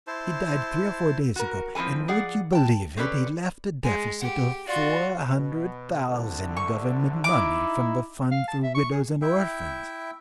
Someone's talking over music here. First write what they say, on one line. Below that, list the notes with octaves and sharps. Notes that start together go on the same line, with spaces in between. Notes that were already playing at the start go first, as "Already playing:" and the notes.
He died three or four days ago, and would you believe it, he left a deficit of four hundred thousand government money from the fund for widows and orphans.
E4 C5 A5 C6
F#4 A#4
F3 C4 E4 A4 G#5
F3 G#4 D5 F#5
G5 A5
C4 C#4 G#4 A4 B4 D5
G#3 G#5
G4 F#5
F4 F#4 D5
B2
C2 D3
C#6
D#4 E4 D6
F5
A5
E5
C#6
G#4
E4 E5 G5